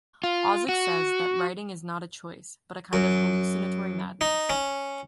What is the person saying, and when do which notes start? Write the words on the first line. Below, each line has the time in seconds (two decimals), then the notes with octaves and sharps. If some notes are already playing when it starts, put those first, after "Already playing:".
Ozick says that writing is not a choice but a kind of hallucinatory madness.
0.24 F4
0.69 F#4
2.93 F#2
4.21 D#4
4.49 C#4